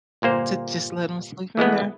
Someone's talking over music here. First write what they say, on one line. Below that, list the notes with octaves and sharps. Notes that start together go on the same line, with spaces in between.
To just let 'em sleep in there.
G1 A#2 A#3 C5
E3 G#3 A3 B3